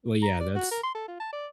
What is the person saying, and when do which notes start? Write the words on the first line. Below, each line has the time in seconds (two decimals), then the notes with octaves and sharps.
Well, yeah, that's
0.23 A#5
0.40 D5
0.56 F#4
0.71 A#4
0.83 C6
0.95 A4
1.08 F4
1.20 A5
1.33 D5